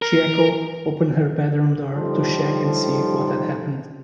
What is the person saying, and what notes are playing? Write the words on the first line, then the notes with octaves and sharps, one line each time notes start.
Chieko opened her bedroom door to check and see what had happened.
A#4
A2 D#3 F3 G3 G4 A4